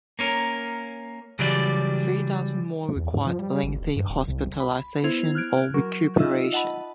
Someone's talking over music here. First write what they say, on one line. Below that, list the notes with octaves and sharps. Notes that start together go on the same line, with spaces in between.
Three thousand more required lengthy hospitalization or recuperation.
A#3 C#4 A#4
C#3 E3 F#3 G3 G4 D5
E2
G#2
F3
G3
G#1
D#1
G2
D#1
C2
B5
B3 E4 C5 G#6 F7
F6 F#6 G#6 D7
F#3 A#4 C#6
D#4 F4 D#5 E5 E6
D#5 F#5 A5 B5